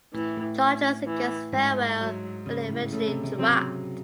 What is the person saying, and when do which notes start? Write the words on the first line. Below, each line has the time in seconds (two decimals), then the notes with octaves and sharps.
Charges against Farrell were eventually dropped.
0.14 A2 E3
0.37 A2
1.06 E3
1.52 G#2
2.00 F#3
2.46 C#3
2.69 A2
2.92 C#3 A3
3.07 C3
3.23 C3
3.38 F#3 C4